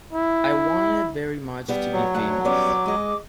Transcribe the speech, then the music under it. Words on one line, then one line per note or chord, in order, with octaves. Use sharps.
I wanted very much to be famous.
E4
G3 B3
F#3 C#5
D2 A3 F#5
G3 B3 C#4 D6
G#3 D#5